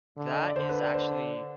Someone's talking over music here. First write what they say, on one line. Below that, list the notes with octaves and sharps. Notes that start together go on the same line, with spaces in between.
that is actually
D3
D#5
D5
D3 C5
B4
D5
C5